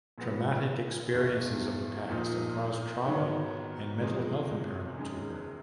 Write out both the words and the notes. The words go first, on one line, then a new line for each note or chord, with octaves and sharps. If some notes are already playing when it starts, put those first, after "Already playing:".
Traumatic experiences of the past have caused trauma and mental health impairment to her.
A#2 F3 G#3 B3
E1 E2 B2
A#2 F3 A#3 D#4
G#2 D#3 F#3 B3
E2 C3 F3 G#3
F#1 F#2 D#3 G#3